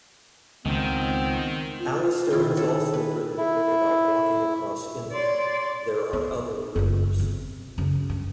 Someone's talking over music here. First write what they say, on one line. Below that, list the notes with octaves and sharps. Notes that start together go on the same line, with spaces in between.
Alastair has also written a book about walking across India: "There Are Other Rivers".
C#2 D#3 B3 C4
F4
D#3 E4
A4 C#5
G#4
G#4 B4
E4
C#5 D5 C6
B3
F#1 F4
C3
F#2 C#3
G2